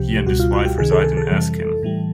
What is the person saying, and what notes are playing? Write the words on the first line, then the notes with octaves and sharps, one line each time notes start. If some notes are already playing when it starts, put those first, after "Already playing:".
He and his wife reside in Erskine.
Already playing: C2 C3 F3 G4
C#2 B2 G3 F#4
F4
F#4
G4
C#2 C3 D#3 G#4
A4
A4
A4
F2 C3 E3 G3
A2 E3 G3